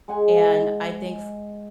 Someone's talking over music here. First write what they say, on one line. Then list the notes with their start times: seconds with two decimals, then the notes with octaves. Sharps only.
and I think f
0.08 G#3 F#5 G#5